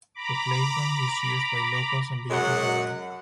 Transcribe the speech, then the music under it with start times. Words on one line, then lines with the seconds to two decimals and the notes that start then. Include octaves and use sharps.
The playground is used by locals and visitors alike.
0.15 A#5 B5 D6
2.31 F#2 F#3 G#3 F#5